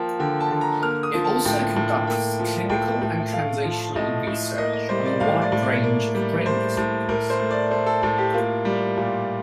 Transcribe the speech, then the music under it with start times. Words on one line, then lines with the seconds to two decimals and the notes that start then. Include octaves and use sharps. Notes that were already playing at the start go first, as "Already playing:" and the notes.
It also conducts clinical and translational research on a wide range of brain disorders.
Already playing: F3 A#3 G5
0.19 D3 G5
0.40 A5
0.51 D3
0.61 A#5
0.82 A#3 F6
1.03 D#6
1.14 F3
1.24 A5
1.45 A2 G5
1.76 A2
2.07 A#3 G5
2.39 F3
2.69 A2 G5
3.02 A2
3.33 A3 F5
3.64 F3
3.96 A2 D#5
4.27 A2
4.58 A#3 D#5
4.73 D#5
4.89 G3 C5
5.06 D5
5.20 A2 F5
5.42 D5
5.52 A2
5.62 D5
5.83 A#3
6.15 G3
6.46 A2 C5
6.77 A2
7.09 A2 A#4
7.30 C5
7.40 A3
7.51 D5
7.71 A3 C5
7.86 A4
8.02 A2 A4
8.18 G4
8.34 A#3 F4
8.65 G3
8.97 A#2 F4